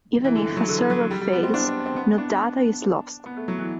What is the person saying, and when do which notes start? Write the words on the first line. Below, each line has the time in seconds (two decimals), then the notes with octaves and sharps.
Even if a server fails no data is lost.
0.24 E3
0.36 D3
0.46 E3
0.57 F#3
0.68 D3
0.90 F#3
1.11 G3
1.21 G3
1.33 B3
1.43 C4
1.54 D4
1.64 C4
1.86 C4
1.96 B3
2.18 D4
3.26 B3
3.37 A3
3.48 F#3
3.58 E3